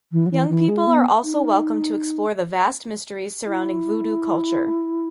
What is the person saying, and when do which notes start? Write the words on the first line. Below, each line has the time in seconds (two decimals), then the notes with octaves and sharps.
Young people are also welcome to explore the vast mysteries surrounding Voodoo culture.
0.12 E3
0.26 F#3
0.31 E3
0.49 E3
0.68 G#3
0.87 B3
1.24 D#4
3.47 E4